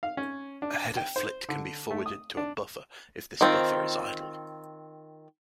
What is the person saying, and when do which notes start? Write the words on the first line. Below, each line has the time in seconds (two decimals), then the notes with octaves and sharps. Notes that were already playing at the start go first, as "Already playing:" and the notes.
A header flit can be forwarded to a buffer if this buffer is idle.
0.03 F5
0.17 C#4
0.62 D4
0.97 G5
1.16 C5
1.49 D3
1.91 A3
2.06 D#6
2.37 D4
3.41 D#3 C4 F4